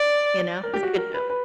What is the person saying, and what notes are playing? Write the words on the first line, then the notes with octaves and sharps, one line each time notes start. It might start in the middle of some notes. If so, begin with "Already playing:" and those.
You know, it's a good show.
Already playing: D5
A#4
G4
F#4
A#4
B4
B4